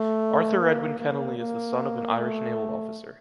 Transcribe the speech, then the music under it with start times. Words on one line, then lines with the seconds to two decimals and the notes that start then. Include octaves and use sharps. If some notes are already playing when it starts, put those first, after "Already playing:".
Arthur Edwin Kennelly is the son of an Irish naval officer.
Already playing: A3
0.59 A#3
0.99 A#3
1.38 A#3
2.19 A3